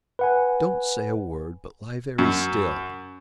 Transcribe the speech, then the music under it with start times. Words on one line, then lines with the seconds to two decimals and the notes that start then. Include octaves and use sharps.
"Don't say a word, but lie very still."
0.19 B4 F#5 G#5
2.18 F#2